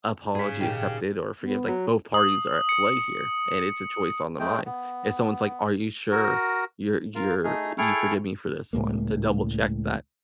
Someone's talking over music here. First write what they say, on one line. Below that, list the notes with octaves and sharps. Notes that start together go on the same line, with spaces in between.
apology accepted or forgive, like, both parties are at play here, and it's a choice on the mind. If someone's like, "Are you sure you're you're you forgive me for this one." To double check that,
G#2 G#4 C#5 B6
A#2 D#3 G4
B3
F#3
D#6
C#7
G#3 A3 G5
B3
F#4 A#4
F4 A#4 F5
A3 D#4 G#4
E4 G#4 A4 G5 C#6 F6
C#2 A2 G#3 A#3